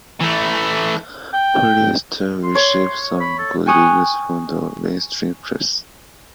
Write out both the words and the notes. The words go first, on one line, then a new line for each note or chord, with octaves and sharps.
"Polyester" received some good reviews from the mainstream press.
E3 A3
G5
C6
C#5
B5
A4
G5 G#5 C#6 D#6 F#6